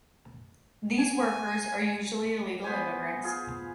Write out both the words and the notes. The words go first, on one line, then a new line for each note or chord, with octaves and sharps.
These workers are usually illegal immigrants.
G#5
B3 B4 C5 G#5
F4 G#4